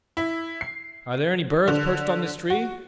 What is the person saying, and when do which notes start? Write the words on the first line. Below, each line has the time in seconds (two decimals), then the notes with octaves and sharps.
Are there any birds perched on this tree?
0.17 E4
0.61 C7
1.68 D3
2.50 F#4